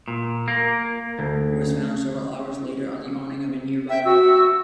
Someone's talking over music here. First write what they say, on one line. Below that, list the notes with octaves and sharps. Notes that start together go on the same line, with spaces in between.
It was found several hours later on the awning of a nearby building.
A#2
A#3
D2
E5 G5
F#4 E6